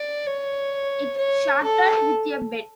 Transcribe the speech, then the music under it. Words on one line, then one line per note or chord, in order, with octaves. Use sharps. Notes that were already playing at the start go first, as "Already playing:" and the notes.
It started with a bet.
Already playing: D5
C#5
C#5
A4